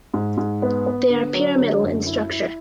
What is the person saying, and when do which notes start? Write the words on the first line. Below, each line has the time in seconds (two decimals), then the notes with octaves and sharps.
They are pyramidal in structure.
0.14 G#2
0.37 G#2
0.62 B3
0.86 B3
1.10 D3
1.34 F#3
1.58 D3
1.83 F#2
2.07 E4
2.31 E4